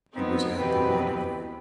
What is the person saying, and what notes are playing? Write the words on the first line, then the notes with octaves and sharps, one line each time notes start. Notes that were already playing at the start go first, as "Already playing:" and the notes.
He was at the rendezvous.
B3 C4 D#4
E2 B2 E3 C4 G4 B4